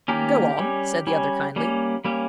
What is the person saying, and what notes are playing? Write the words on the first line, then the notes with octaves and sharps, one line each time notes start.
"Go on!" said the other kindly.
D#3 A#3 C#4 G4 A#4
G3 C#4
G3 C#4
G3 A#3 C#4
G3 A#3 C#4